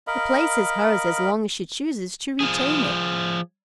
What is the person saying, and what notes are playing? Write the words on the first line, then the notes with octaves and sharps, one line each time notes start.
The place is hers as long as she chooses to retain it.
A#4 D#5 F5 B5
F3 G#4